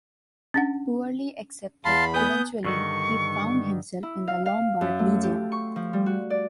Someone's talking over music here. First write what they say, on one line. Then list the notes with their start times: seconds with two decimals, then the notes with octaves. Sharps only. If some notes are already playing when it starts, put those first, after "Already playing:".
Poorly accepted, eventually he found himself in the Lombard Legion.
0.54 C#4 D4 F#5
1.85 E2 F5 A5 B5 C6
2.14 B3 G#5 D#6 G6
2.65 G2 D3 D#3 C#6
4.03 E4
4.28 F5
4.46 F5
4.81 F#2
4.99 A3
5.23 G4
5.52 C#6
5.76 F3
5.93 G3
6.06 F#4
6.30 D5